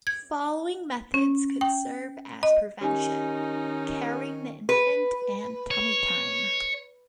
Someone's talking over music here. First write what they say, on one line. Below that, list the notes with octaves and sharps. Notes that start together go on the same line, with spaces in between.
Following methods could serve as prevention: carrying the infant and tummy time.
G#6
C#4
G5
D#5
D#3 C#4 D#4 G4 G#5
B4
C#5